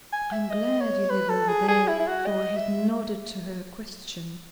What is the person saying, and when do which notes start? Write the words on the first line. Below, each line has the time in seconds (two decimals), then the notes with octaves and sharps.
"I am glad you live over there," for I had nodded to her question.
0.13 G#5
0.32 E5
0.50 D#5
0.81 C#5
1.10 B4
1.30 A4
1.49 G#4
1.68 G#4
1.88 E4
1.99 E4
2.08 F#4
2.26 D#5
2.57 E5